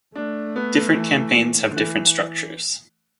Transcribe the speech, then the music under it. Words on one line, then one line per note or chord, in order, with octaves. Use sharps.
Different campaigns have different structures.
A3 D4
B3
E3
D3
E3